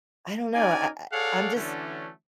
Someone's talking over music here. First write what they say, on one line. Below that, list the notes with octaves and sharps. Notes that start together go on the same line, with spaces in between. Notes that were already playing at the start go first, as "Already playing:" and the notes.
I don't know, I I I'm just
C#4 D#4 F#4 A#4 D5 G#5
G#4 A4 C#5 D5 F5 F#5
D3 E3 F#3 A3 C#4 D4